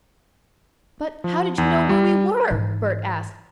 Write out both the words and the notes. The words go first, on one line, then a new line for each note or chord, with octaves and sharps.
"But how did you know where we were?" Bert asked.
F3
E2
G3
G#2 E3